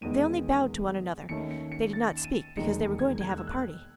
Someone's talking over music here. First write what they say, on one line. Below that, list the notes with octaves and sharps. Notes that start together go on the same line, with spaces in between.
They only bowed to one another; they did not speak, because they were going to have a party.
E1 E2 D#3 G#3 B3 D#7
D#2 D#3 A3 C#4 C#7
C#7
C#7
A6
E7
D#7
E1 D#2 D#3 G#3 D#4 C#7
G#6
G#6
F#6
E6
F#6